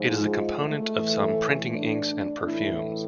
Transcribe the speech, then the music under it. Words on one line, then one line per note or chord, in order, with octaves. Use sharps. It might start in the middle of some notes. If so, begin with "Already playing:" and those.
It is a component of some printing inks and perfumes.
Already playing: G#2 F3
G#3
A3
E3
A2
D4
A2 E3 E4